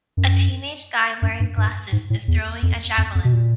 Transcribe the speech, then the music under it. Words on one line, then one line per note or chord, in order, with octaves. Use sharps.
A teenage guy wearing glasses is throwing a javelin.
F#2
F#2
G2
G2
G#2
A2
E2
F2
F2
F2
B2
A#2